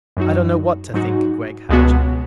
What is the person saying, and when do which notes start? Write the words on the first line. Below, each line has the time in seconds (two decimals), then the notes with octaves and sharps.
"I don't know what to think, Gregg Haljan...."
0.17 F#2 F#3 D#4 F#4
0.94 G#2 F#3 D#4 F#4
1.69 C#2 B2 G#3 B3 F#4